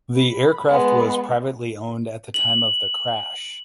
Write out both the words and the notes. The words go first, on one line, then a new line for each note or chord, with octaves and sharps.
The aircraft was privately owned at the time of the crash.
B5
G#3 B3
F#7